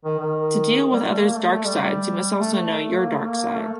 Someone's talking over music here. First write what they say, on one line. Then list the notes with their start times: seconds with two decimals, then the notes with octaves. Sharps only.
To deal with others' dark sides, you must also know your dark side.
0.05 D#3
0.19 D#3
0.93 G3
1.04 G3
1.07 A3
1.22 A#3
1.36 A3
1.51 A3
1.65 G3
2.40 A3
2.54 A3
2.92 A3
2.98 A#3
3.12 A3
3.28 A#3
3.57 A3